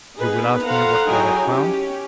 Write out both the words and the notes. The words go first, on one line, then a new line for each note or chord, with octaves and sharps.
You will ask me what he had found?
B3 D#4 G#4 B4
A4 C5 F5 F#5 A#5
F#3 D#4 E4 G#4 G5 G#5
C#4 G4